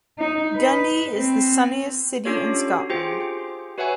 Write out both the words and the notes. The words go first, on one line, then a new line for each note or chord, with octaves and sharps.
Dundee is the sunniest city in Scotland.
D#4
B4
C4
C#4 D4 F4 G4 A4 C#5
F#4
F4 G4 G#4 C5 G5
F#4 B4 C#5 E5 F#5 G#5